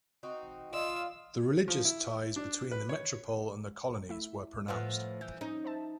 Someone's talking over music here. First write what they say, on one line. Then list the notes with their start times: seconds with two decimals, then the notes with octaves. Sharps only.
The religious ties between the metropole and the colonies were pronounced.
0.23 C4 D#4 F#4
0.73 F4 D5 D#5 F5 E6
1.68 F3
1.85 E4
2.36 D4
2.71 B4
2.89 C#5
4.09 A3 E4 E5
4.68 A2 F3 F4 B4 F#5 F#6
5.21 E3 G6
5.41 C#4 D#4
5.64 C5 E5 A5